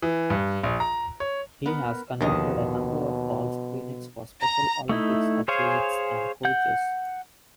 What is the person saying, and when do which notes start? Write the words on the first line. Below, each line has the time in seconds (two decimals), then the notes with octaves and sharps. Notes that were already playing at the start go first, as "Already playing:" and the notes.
He has conducted a number of golf clinics for Special Olympics athletes and coaches.
0.02 E3
0.30 G2
0.63 A#1
0.80 A#5
1.20 C#5
1.66 B3 A#4
2.21 D#2 B2 D3 F3 D#5
4.41 A#5
4.89 A3 D#4 E4
5.48 G#4 C5 C#5 F5 G#5
6.45 F#5 G6